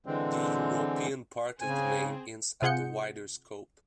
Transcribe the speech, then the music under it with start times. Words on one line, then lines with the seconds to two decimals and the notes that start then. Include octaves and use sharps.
The 'European' part of the name hints at the wider scope.
0.06 D3 E3 G#3 C4
1.61 C#3 C4 G#4 G#5
2.62 C3 F4 G#4 F#5 G6 C#7